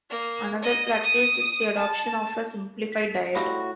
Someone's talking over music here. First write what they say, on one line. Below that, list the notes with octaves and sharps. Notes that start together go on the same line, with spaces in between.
Another practice is the adoption of a simplified diet.
A#3
D#5
D#6
A5
B6
A2 F3 G3 C4 F#4 B5 A#6